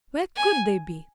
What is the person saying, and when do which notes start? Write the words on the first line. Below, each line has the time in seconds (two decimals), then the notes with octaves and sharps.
Where could they be?
0.37 G#5